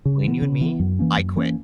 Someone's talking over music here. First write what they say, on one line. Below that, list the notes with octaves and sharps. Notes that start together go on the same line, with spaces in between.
between you and me, I quit.
C#3
E3 B3
C#3
E3 B3
F#2
E3 A#3 C#4
F#2
E3 A#3 C#4